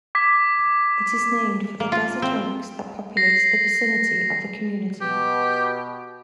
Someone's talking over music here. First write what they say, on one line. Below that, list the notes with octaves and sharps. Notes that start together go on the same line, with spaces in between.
It is named for the desert oaks that populate the vicinity of the community.
D6 G#6 B6
A#3
F4
C4
A#6 C7
B2 G4